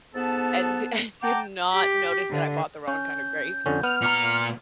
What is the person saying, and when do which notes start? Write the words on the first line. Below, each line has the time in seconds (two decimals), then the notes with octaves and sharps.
and di and did not notice that I bought the wrong kind of grapes.
0.15 G#2 B3 A4 A5
1.23 F#5 G5 A5 A#5 D6
1.73 G4
2.30 D3
2.88 C#4 G6
3.66 F2 D3 C#4
3.83 B3 F6
4.01 A#2 A#5 C#7